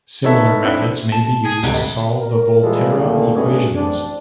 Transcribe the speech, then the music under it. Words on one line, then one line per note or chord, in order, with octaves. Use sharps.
Similar methods may be used to solve the Volterra equations.
D#4 A4 B4 C#5 E5 A5
C4 D4 E4 E5
A5
G#4
G1 C#2 G#2 C3 F#3 G3 G4
A#4
A#2 E3 G3 G#3 F4 A4
C2 A#2 C#3 A3 A#3 G4
G2 B2 A3 C#4 F#4 G#4
A1 C4 D4